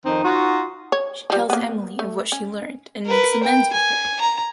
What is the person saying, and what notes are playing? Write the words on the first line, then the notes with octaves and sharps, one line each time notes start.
She tells Emily of what she learned and makes amends with her.
F2 D#3 C4 D#4
F4 F#4
C#5
F3 G3
A#3 B3
A3
C#4
A#4 B4
G5
G#5
A#5